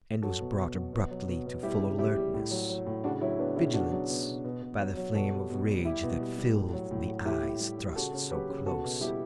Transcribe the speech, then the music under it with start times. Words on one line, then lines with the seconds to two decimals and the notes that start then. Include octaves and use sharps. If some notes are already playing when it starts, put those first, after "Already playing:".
And was brought abruptly to full alertness, vigilance, by the flame of rage that filled the eyes thrust so close.
0.22 F#3 F#4 A4
0.41 B2
0.58 B2
0.76 F#3
0.93 B2
1.11 F#3
1.28 B2
1.46 B2
1.63 G3 E4 G4
1.81 C#3
1.98 G3 E4 G4
2.17 G3
2.34 A2
2.51 F#3
2.69 F#3
2.86 A2
3.04 C#3 D4 F#4
3.21 F#3 C#4 E4
3.39 C#3 B3 D4
3.56 C#3 C#4 E4
3.74 B2 D4 F#4
3.92 F#3
4.09 B2
4.27 B2
4.44 B2
4.62 B2
4.80 F#3
4.97 F#3
5.15 B2 F#4 A4
5.33 G3
5.50 B2
5.68 G3
5.85 G3 E4 G4
6.03 B2
6.20 G3
6.38 G3
6.55 A2
6.73 F#3
6.91 A2
7.08 F#3
7.25 A2 E4 G4
7.43 A2
7.60 G3
7.79 G3
7.96 C#3 F#4 A4
8.13 C#3
8.31 F#3 G4 B4
8.49 C#3
8.66 B2 F#4 A4
8.84 B2
9.01 G3 E4 G4